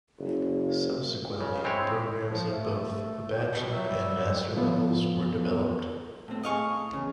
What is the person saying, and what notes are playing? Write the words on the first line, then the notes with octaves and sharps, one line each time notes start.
Subsequently, programs at both the Bachelor and Master levels were developed.
F#1
C#3
G#3 C4 E4 C#5
F3
A3
G5
B2
F#3 E5
G3
F3 B3
A2 C4
A2 G#4 D#5 F5 C#6
E2 C#3